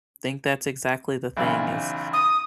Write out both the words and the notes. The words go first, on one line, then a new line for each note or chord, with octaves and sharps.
think that's exactly the thing is,
B1 E2 C#3
D#6